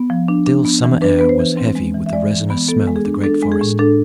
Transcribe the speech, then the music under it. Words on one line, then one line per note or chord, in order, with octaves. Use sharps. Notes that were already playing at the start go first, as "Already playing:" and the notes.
The still summer air was heavy with the resinous smell of the great forest.
Already playing: B3
F3
D4
D4
B3
E3
D4 B4
B3 B4
C5
E3
C4
G#3
E3
E5
G#3 D5
E3
B3
B3 A4
G#3
G#4
D4
D4 A4
G#3
G#4
A2
D4 A4